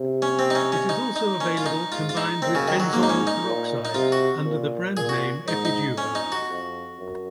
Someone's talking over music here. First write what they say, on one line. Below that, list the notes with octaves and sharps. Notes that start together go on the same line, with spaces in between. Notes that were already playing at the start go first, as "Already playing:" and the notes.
It is also available combined with benzoyl peroxide under the brand name Epiduo.
Already playing: C3
C#4
C4
D#4
C#4
C#4
D#4
D#4
A#2 C#4
F4
D#4
G#2 F4
F4
D#4
F#2 C4
C#3
D#3
F#3
G#2 A#3
D#4
C#4
D#4
A#2
D#4
C3 F4
F#4
A#2
A#2 G#4
F#4
G#2 D#4
D#4
F2 C#4
D#4
F#4
F2
F#2